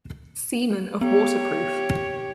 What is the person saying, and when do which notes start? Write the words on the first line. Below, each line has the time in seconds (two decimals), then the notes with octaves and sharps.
Seaman of Waterproof.
1.01 B3 G4 C#5